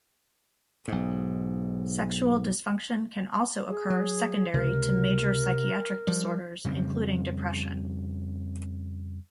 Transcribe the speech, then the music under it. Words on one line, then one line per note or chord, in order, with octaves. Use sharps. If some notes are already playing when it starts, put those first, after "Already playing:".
Sexual dysfunction can also occur secondary to major psychiatric disorders, including depression.
B1 G#2
G#4
F#3
C#2 C3 A#4
F3 G3
F2 C#3 G3 C4